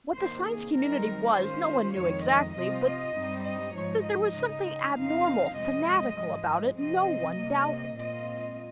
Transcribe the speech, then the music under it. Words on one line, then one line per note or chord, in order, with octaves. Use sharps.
What the Science Community was, no one knew exactly; but that there was something abnormal, fanatical, about it, no one doubted.
C3 D#3 A#3 C5
G#4
D#3 G3 C4 D#4 A#4
D#3 G#3 C#4 F4 C5
F2 D#3 G#3 C#5
D#5
C3 F3 C4 F4 D#5
D#5
G2 G3 C4 D#4
D#5
G#2 F3 G#3 D#4 C#5
D#5
C#3 G#3 D#4
F2 C#3 F3 C4 D#4 F5
F2 C3 F3 G#3 C4 D#5
G#2 F3 G#3
C3 F3 C4 D#5
C3 G3 A#3
A#2 G#3 C4 F4 D#5